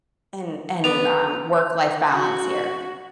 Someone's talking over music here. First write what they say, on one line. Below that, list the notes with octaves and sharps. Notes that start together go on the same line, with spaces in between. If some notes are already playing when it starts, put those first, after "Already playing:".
and and, um, work life balance here?"
B3 B4 D5 F7
F#4